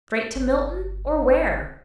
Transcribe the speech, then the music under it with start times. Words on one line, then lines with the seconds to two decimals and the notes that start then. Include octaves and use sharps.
Straight to Milton, or where?
0.35 G1